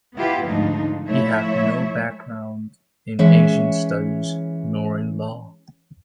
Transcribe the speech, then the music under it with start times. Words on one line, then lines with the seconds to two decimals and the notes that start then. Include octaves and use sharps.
He had no background in Asian studies nor in law.
0.15 B3 E4 F4 G4 B4
0.46 D2 G#2 F3 A3 D4 D#4
1.08 F3 A3 E4 C#5 E5
3.19 E3 G#3 C#4 C#5 E5